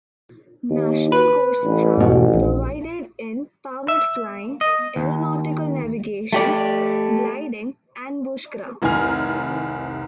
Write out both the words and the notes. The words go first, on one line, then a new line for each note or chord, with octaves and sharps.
National courses are provided in powered flying, aeronautical navigation, gliding and bushcraft.
D#2
B4
A1
E2 G#2 B2
A#1
E5
D#5
D#2
A3 G4 D5
F1 C2 D#3 G#5 F6